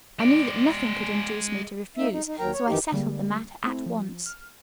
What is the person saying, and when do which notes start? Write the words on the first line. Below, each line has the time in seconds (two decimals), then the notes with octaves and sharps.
"I knew that nothing could induce me to refuse, so I settled the matter at once."
0.19 G#3 D5
1.97 A#3 D#4 E5
2.12 D#4
2.27 D#4
2.39 D#2 F#3 A#4 G5 A#5
2.53 C#5
2.67 F#2 D#3 E3 D#4 G4
2.92 D3 G3 G#3 A#3
3.64 A3 C4 E4
3.86 F3
4.26 F6